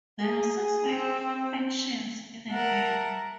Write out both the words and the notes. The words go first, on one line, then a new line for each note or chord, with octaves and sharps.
There are six main factions in the game.
G#4
C4
A#4 E5 F#5 A5 A#5